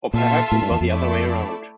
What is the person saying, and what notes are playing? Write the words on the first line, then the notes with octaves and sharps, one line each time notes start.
Or perhaps it was the other way around.
A#2 F4 A4 E5 A5
A2
G2
E2
F2
A3 E4 A4 D5